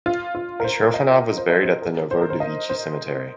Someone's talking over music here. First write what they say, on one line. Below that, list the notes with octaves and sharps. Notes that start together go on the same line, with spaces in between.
Mitrofanov was buried at the Novodevichy Cemetery.
F4
F4
A#4
C5
D#5
C5
D#5
C5
A#4
C5
A#4
C5
D#5
C5